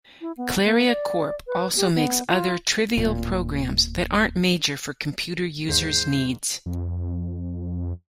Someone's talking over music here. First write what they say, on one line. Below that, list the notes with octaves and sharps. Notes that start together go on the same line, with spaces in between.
Claria Corp. also makes other trivial programs that aren't major for computer users' needs.
E4
B3
A#3
D5
B4
G4
B3
F4
D1 A#2
D#2 G#2 C5
F2